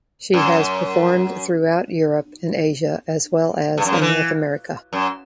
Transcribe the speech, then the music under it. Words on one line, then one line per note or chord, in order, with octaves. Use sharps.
She has performed throughout Europe and Asia as well as in North America.
F#2
G2
F#2
F3
E3
F#2